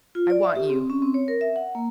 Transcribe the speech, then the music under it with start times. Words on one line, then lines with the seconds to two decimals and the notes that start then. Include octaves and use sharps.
I want you.
0.15 F4
0.30 D5
0.43 E5
0.56 G4
0.70 C4
0.90 C#4
1.02 C4
1.14 C#5
1.28 A#4
1.41 E5
1.56 F#5
1.75 A#3